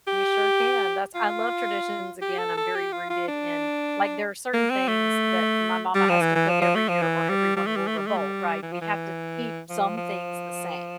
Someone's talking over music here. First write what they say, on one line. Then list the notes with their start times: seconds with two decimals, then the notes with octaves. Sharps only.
You sure can, that's I love traditions. Again, I'm very rooted in like, there are certain things that my mama has to cook every year or everyone will revolt, right? We have to keep some things the same,
0.07 G4
1.15 F4
2.22 G4
2.38 A4
2.57 A4
2.75 G4
2.92 F4
3.10 F4
3.28 D4
4.53 A#3
4.71 C4
4.88 A3
5.95 G3
6.09 F3
6.22 E3
6.35 E3
6.49 F3
6.62 F3
6.75 A3
6.89 F3
7.02 E3
7.29 G3
7.57 G3
7.67 A3
7.76 G3
7.87 A3
7.98 G3
8.07 A3
8.17 G3
8.63 E3
8.72 F3
8.81 E3
9.70 F3
9.97 F3